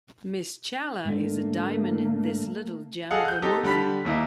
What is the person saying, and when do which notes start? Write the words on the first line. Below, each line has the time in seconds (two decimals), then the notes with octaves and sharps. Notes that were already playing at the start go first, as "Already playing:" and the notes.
Ms Chawla is a diamond in this little gem of a movie.
1.05 G#2 D3 A3 A#3
3.11 G#4 A4 D#5 F5 F#5
3.25 F#6 G6
3.42 C4 D#4 G4 A4
3.63 D3 G3 D4 B5 B6
4.05 D#2 A#3 E4 D#5